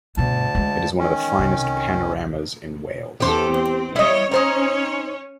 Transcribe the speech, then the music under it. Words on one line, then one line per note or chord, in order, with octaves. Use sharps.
It is one of the finest panoramas in Wales.
D2 G2 B2 A5
E3 G#3
D#3 C#4
C2
E2 G4 A4 C5
C4
G3 E4 C#5 D#5
C#4 D#4 C5 C#5 A#5